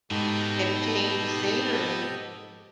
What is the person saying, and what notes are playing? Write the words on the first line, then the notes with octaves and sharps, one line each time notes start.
get a change of scenery,
G#2 B2 D#4 G4 A4 D#5